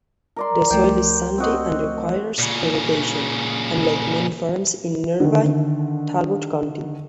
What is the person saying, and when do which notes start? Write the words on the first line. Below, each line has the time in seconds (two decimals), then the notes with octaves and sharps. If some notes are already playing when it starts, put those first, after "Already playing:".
The soil is sandy and requires irrigation, unlike many farms in nearby Talbot County.
0.36 A#4 D5 C6
0.71 C#2 F3 A3 G5
1.38 C4 F#4 D#5
2.39 A#2 C#3
5.20 D3 D#3